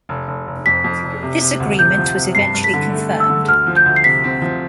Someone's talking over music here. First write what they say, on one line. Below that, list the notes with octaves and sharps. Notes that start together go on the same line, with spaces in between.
This agreement was eventually confirmed.
F1
F1
F1
F2 B6
F2
F1
C3
C3
D2
C3 G6
F3
C3
G2 C7
G2
B6
D3
A3
A3
E6
D3
D2 F6
F3
G6
D2
C7
C3 B6
C4
F3